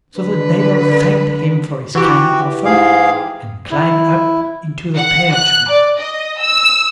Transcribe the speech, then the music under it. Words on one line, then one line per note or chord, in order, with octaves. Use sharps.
So the Devil thanked him for his kind offer, and climbed up into the pear-tree.
D3 B4
E3 F#4 G4
G#2 G#4 F5
E4
F#5
F#6
D5
D#5
E6